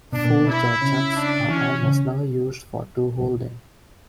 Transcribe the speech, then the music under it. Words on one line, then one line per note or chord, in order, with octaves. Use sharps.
Four-jaw chucks are almost never used for tool holding.
B2 D4
A#2
B2
E4
C#3
D4
E3 C#4
C#3